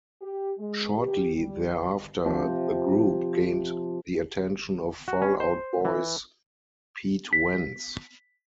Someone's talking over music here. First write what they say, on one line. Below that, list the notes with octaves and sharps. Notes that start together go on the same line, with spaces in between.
Shortly thereafter, the group gained the attention of Fall Out Boy's Pete Wentz.
G4
G#3
G4
G3
C3 F3
F#4
C#4
C5
E3
B6